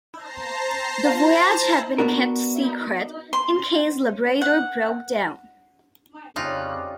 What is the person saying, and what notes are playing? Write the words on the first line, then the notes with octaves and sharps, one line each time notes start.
The voyage had been kept secret, in case "Labrador" broke down.
C5 A5 A#5 A#6 C7
B3 D4 F#4 A#4
C6
F#5
F2 C#3 C#4 D#4 F4 G4 D5 F#6